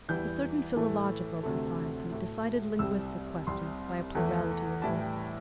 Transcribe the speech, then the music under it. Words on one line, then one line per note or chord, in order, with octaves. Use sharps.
A certain philological society decided linguistic questions by a plurality of votes.
E2 E3 G3 G6
A2 E3 A3
D2 C3 A3
A2 A3
C2 C3 G3 E6
C2 C3 G3 C6
E2 E3 A3
A2 E3 G3 A5
G5